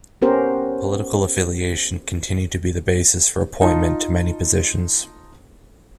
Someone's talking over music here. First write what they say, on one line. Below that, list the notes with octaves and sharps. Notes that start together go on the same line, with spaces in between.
Political affiliation continued to be the basis for appointment to many positions.
B3 C#4 G4 A#4 C5
D#4 F4 A5